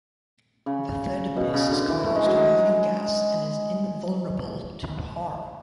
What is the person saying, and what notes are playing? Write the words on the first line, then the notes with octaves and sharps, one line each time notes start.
The third Abyss is composed of living gas and is invulnerable to harm.
C#3
B2
C#3
D3
E3
A3
G#3
F#3
G#3